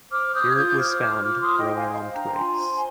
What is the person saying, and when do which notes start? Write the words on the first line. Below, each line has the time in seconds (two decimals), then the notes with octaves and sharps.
Here it was found growing on twigs.
0.11 C5 D6 F6
0.34 C5 D#6 G6
0.50 G#6
0.56 F4 D#6 G6
0.79 C5 D6 F6
1.01 C5 D6 F6
1.23 F4 D6 F6
1.41 C6 D#6
1.47 C5
1.58 D#5 G5
1.70 C5
1.75 F5 G#5
1.91 C5
2.14 D4 G5 A#5
2.36 F4 G#5 C6
2.59 C5